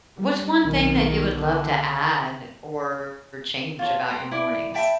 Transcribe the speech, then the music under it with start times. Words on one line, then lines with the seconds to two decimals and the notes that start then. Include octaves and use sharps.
What's one thing that you would love to add or change about your mornings?
0.17 G3
0.63 B1 D#3
1.35 D3
3.79 F4 C#5 A5
4.08 G4 A#5 C6
4.32 E4 D5
4.74 E5 G5 A5 B5